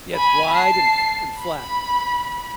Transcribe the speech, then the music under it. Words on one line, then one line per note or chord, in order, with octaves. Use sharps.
Yeah, it's wide and fl and flat.
G#5 B5
A5 C7
B5